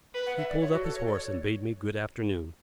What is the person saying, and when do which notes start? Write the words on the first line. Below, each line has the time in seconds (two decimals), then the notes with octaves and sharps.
He pulled up his horse and bade me good-afternoon.
0.14 B4
0.26 F#5
0.37 E5
0.49 D5
0.60 C#5
0.72 F#4
0.83 A4
0.95 C#5
1.07 D5
1.13 C#5